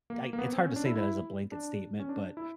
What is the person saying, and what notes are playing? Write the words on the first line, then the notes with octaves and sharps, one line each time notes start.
I, it's hard to say that as a blanket statement, but
A#3
A#3
B3
C4
C#4
D4
E4
E4
D4
C#4
D4
E4